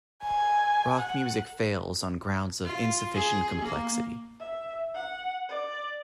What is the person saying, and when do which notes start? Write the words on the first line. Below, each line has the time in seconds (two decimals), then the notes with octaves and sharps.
Rock music fails on grounds of insufficient complexity.
0.24 G#5
0.98 F#5
2.65 F4
3.14 G#4
3.62 A#3
4.40 E5
4.94 F#5
5.49 D5